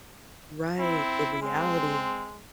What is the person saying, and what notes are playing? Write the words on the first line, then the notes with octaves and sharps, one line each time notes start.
Right. The reality
C4 E4
G#3 C4